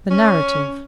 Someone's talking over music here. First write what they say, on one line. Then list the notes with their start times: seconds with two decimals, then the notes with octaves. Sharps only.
The Narrative.
0.11 C#4